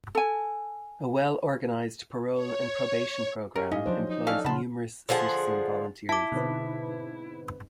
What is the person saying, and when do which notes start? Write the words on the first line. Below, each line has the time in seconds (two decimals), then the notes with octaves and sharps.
A well-organized parole and probation program employs numerous citizen volunteers.
0.15 A4 G#5
2.33 C#5
3.56 C#4 G4 A#4
3.71 A2 C#4 D#4 D#5 F5
3.86 F3 F#3 D4 C5
4.09 D#4
4.27 C#4 A4 D5 F5 F6
4.45 C#3 F#5 A5 B5 C6
5.09 D3 F3 G#4 F#5
6.09 E4 A5 D6
6.32 G#2 B2 D3 C4 B4